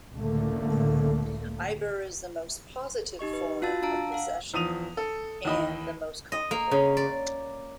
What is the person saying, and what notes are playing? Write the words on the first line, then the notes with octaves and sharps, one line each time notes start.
"Ibbur" is the most positive form of possession, and the most complicated.
C#2 A2 D3 A3 A#3
D#4 G4 D#5 C#6
B4
F4 F#4 F5 A5 E6 A6
D4 F5 A5 A#5 E6 D7
F5 F#5 E6
E2 F3 D#6 D#7 F7
A4
D#2 E3 D#5 B5
D#5
A#3
C#3
D5